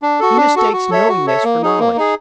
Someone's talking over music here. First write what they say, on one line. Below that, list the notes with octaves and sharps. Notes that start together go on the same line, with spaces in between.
He mistakes knowingness for knowledge.
D4
F#4 A4
D4
F#4 A4
F#4
A4 C#5 E5
F#4
A4 C#5 E5
A#3
D#4 G#4
A#3
D#4 G#4